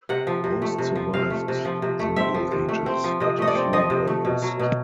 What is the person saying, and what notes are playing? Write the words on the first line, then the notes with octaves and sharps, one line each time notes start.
Most survived the Middle Ages, but a few were lost.
C3 F#5
F3
C3
A3
C3
F3
C3 F5
A3
C3
F3
C3
A3
C4 E5
F3
C3
A3
C4
F3
C3 D#5
A3 D#5
D5
C4
F3 D#5
C3
A3
B2
F#3
B2